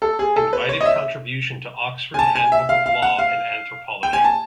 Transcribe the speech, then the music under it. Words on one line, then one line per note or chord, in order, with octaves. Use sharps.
Invited contribution to Oxford Handbook of Law and Anthropology.
A4
G#4
A4
B4
C#5
D#5
E5
G#5
A5
G#5
E5
F5
F5
F#5
F5
G5
G#5
A5